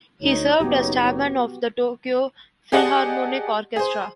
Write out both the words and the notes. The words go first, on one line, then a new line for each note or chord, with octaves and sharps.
He served as chairman of the Tokyo Philharmonic Orchestra.
D2 D#4 C#5
F#1 B3 F#4 G4
G4 G#4 D5 D#5 F#5 A5
G#4 C5